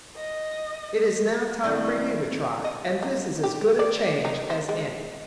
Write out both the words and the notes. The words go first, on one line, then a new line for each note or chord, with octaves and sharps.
"It is now time for you to try, and this is as good a change as any."
D#5
C2 F#2 C3 D#3 A3 B3 D5 C#6
D#5
D#4
G4
D5
D#4
C5
G#3